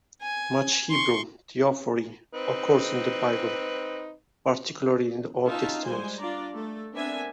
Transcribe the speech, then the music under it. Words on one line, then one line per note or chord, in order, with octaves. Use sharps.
Much Hebrew theophory occurs in the Bible, particularly in the Old Testament.
G#5
C6 C#6
C4 D#4 B4
C#4 D#4 F4 E5 F5 A5
G3 G#3 C5 G#5
D4 F4 D5 A#5
A3 A4
B3 C4 D4 A#4 E5 G#5